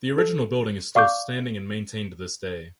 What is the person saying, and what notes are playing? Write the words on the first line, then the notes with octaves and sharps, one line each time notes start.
The original building is still standing and maintained to this day.
A4
D5 F5 C#6 D6 G6